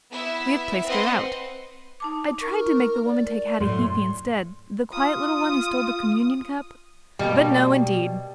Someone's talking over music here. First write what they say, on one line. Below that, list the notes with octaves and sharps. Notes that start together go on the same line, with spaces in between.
We have placed her out. I tried to make the woman take Hattie Heaphy instead,--the quiet little one who stole the communion cup,--but no, indeed!
B3 E4 E5
C4 B4 D#5 F#5 C6
D#4 A5 D6
A#4 C#6
D5
F#2 A2 A3 C6
F4 D#6
B2 G3 A#3